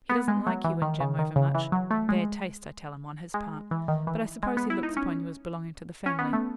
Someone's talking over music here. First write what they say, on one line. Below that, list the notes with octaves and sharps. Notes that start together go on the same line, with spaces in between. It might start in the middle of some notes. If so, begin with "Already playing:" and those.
He doesn't like you and Jim over much--bad taste, I tell him, on his part--but I suppose he looks upon you as belonging to the family.
B3
G#3
F#3
E3
D#3
C#3
D#3
C#3
E3
F#3
A3
G#3
G#3
E3
D#3
E3
G#3
B3
E4
D#4
C#4
C#4
B3
A3